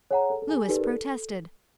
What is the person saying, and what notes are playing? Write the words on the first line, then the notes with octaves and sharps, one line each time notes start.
Louis protested.
G#4 C#5 F#5 A#5
A4
A4
G#4
D#4 G4 A4 B4 D5
A#4
A4